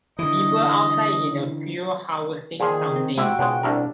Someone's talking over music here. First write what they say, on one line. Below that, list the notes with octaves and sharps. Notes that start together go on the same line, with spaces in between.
People outside in a field harvesting something.
D3 E3 D#5
A#2 D#3 F3 G#4
C4
C3 G#3 E4 F#4 G5
C#2 G#2 B2 G#3
C2 A2 D4 A#4